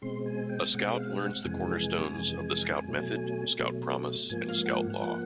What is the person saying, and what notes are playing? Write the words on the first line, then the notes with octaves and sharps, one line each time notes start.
A Scout learns the cornerstones of the Scout method, Scout Promise, and Scout Law.
B2 G#3 C4 C6
G#5
G5
B2 G#3 C4 F#5
F5
F#5
F2 C3 E3 G#3 G#5
F2 C3 E3 G#3
B2 F#3 A3
B2 F#3 A3
G#2 F3 A#3 G#5
F5
F#5
F3 A#3 F#5